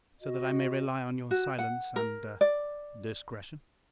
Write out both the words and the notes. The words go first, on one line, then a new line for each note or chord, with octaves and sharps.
"So that I may rely on your silence and--er--discretion?"
F#4 D#5
F#4
F#5
A#4
D5